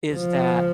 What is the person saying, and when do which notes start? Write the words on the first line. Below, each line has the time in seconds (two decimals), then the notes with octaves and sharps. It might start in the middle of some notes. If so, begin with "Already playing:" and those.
is that
0.15 F3